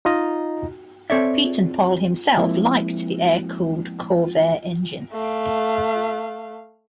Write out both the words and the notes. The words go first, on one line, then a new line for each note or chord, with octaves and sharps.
Pietenpol himself liked the air-cooled Corvair engine.
D#4 F4 D#5 A#5
C4 A4 C#5 D5 E5
F3 G#3 A#3 C4 E4
A3 F5